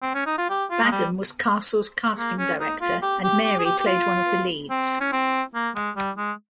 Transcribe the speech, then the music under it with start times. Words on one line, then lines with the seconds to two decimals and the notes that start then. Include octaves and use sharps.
Badham was Castle's casting director, and Mary played one of the leads.
0.02 C4
0.14 C#4
0.26 D#4
0.38 F4
0.50 G4
0.71 F4
0.84 G#3
0.92 G3
2.18 A#3
2.39 C#4
2.60 D#4
2.81 F4
3.03 G4
3.24 G4
3.44 G4
3.59 G#4
3.65 G4
3.80 G4
3.86 F4
4.70 C4
5.01 C#4
5.13 C4
5.55 A#3
5.76 G#3
5.96 G3
6.17 G#3